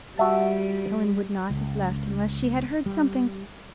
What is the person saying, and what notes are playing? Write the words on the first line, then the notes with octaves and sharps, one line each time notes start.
Helen would not have left unless she had heard something.
G3 F#4 E5 A5
C#2
G3